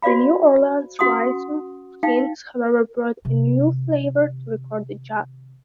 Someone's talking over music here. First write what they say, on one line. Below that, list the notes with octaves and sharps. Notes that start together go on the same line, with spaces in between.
The New Orleans Rhythm Kings, however, brought a new flavor to recorded jazz.
F#4 C5 D5 F5 B5
C#4 F#4 F#5 C6 D#6
D#4 F5 G5
C3 D#3